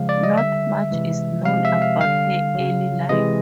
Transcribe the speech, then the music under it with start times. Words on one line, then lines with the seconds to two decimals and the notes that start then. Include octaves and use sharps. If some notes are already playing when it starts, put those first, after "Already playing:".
Not much is known about her early life.
Already playing: C#3 F3 G#3 F5
0.09 D5
0.23 D#5
0.37 D3 G3 E5
0.91 C3 E3 G#3
1.45 C3 F3 G#3 F5
1.65 E5
1.82 F5
2.00 D3 G3 F5
2.55 C#3 F#3
3.09 C3 E3 G#3 D#5